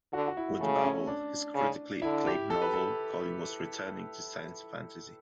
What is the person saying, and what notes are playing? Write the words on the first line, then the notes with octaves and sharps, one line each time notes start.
With "Babel", his critically acclaimed novel, Colin was returning to science fantasy.
D3 F#4
F#4
E4
C#3 A3
C#4
D4
C#3
D3 E4
G4
A4
B4
A4